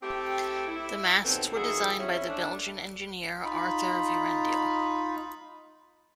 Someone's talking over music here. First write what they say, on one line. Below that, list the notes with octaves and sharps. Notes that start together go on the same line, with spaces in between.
The masts were designed by the Belgian engineer Arthur Vierendeel.
A3 C4 E4 G4
E4
D#2 B2 E3 F#3 C4 A4
D#3 F3 E4 F#4 G#4
C4 C#4 E4
A3 D4
D#4 F4 B5